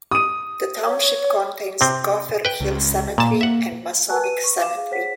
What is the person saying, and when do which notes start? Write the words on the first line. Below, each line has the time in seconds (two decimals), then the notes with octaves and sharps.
The township contains Gopher Hill Cemetery and Masonic Cemetery.
0.11 D#6 D#7
0.86 C#5
1.81 C3 C4
2.45 B4 G5
2.61 C#2
3.18 A#2 A#3 A5
3.41 E5 F#5
4.09 F#4 A#4 B4 G#5 A5 F#6
4.22 B4 D#7
4.44 C#6
4.59 F5 D6 E7
4.76 G#4 F5
4.91 G#4 C5 C#5 F#5 B6